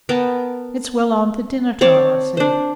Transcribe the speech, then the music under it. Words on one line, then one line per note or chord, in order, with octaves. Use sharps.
It's well on to dinner-time, I see.'
B3 A#4 G5 A5
C4 C#5 D5 A5
D4 C5